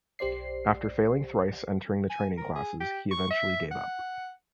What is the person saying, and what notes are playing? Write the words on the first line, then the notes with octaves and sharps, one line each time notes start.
After failing thrice entering the training classes, he eventually gave up.
B1 G4 C5 D5 C7
G#5
A#4
G#4
G4
C#6
E5
F#5